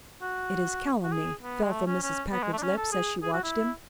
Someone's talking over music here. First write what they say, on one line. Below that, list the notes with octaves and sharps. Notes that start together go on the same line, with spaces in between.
"It is calumny," fell from Mrs. Packard's lips as she watched him.
F#4
F#4
G#4
B3
G#3
A3
C#4
C#4
B3
G#3
A3
D4
C#4
A4
G#4
G#4
F#4
E4